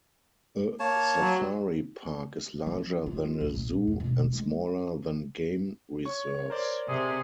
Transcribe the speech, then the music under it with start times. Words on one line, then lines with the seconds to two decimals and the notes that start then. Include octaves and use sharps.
A safari park is larger than a zoo and smaller than game reserves.
0.80 A#3 C#5 A5
1.21 F#3
2.66 F3
3.06 F4
3.41 D2
3.54 A#1
3.87 F2
4.00 E1
4.33 G#3
6.06 C#5 C#6
6.50 A#4 C5 D5
6.89 C3 G#4